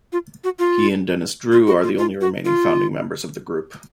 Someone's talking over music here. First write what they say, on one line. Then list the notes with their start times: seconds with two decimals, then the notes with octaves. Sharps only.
He and Dennis Drew are the only remaining founding members of the group.
0.13 F4
0.44 F#4
0.59 F4
1.52 F4
1.67 F#4
1.83 F4
1.98 F4
2.21 F#4
2.45 F4